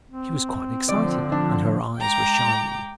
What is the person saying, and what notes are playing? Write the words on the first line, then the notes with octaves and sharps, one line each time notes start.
She was quite excited, and her eyes were shining.
C4
D3 F3 D5
D4
G#3 G5 A#5 D6